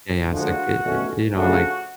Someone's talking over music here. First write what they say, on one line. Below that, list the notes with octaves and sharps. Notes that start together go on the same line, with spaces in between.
yeah, yeah, it's like, e e eh, you know, like
D2 D3 F3 G#3 F#4
B2 A3 C#4
C#3 F3 A3 D4 F#4